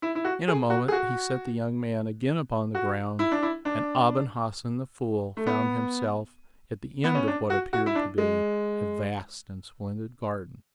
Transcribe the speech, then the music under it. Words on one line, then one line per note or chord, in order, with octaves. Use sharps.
In a moment he set the young man again upon the ground, and Aben Hassen the Fool found himself at the end of what appeared to be a vast and splendid garden.
E4
E4
F#4
G#4
F#4
G#4
F#4
F#4
E4
D4
E4
D4
A3
B3
B3
C#4
D4
F#4
F#4
E4
D4
G#3